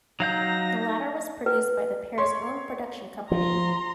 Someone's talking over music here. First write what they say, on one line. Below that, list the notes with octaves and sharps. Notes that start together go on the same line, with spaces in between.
The latter was produced by the pair's own production company.
F#3 D#4 F5 G6 A#6
B4
C#5 C6
F3 A#5 C6